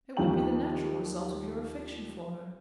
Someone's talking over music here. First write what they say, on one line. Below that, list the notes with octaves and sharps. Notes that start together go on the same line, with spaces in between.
It would be the natural result of your affection for her.
D#2 F3 G3 G4 G5 F#7